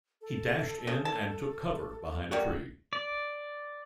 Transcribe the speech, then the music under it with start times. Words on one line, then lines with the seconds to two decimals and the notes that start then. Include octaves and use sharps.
He dashed in and took cover behind a tree.
0.21 A4
0.87 C#3
1.05 A5
2.31 G3 A#3 F#4
2.93 D5